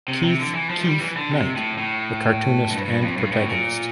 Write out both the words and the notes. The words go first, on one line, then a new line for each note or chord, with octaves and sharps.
"Keith "Keef" Knight" - The cartoonist and protagonist.
C3
C3
D3
E3
F3
A3
G3
E3
D3
C3
A2
A2
G2
G2
F2
G2
A2
C3
A#2